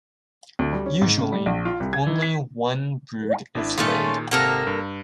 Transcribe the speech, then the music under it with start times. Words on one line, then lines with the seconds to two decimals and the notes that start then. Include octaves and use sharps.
Usually, only one brood is laid.
0.59 D2
0.73 G3
0.86 C#4
1.02 G#2
1.17 C#3
1.32 G3
1.46 A#1
1.65 F4
1.80 C2
1.93 G#6
2.06 E3
2.22 B6
3.55 G#1 D4 E4
3.78 A#2 D#3 A3 C#4 F4 G#4
4.31 G#1 C3 A#3 A4 A#4 F#5
4.67 G2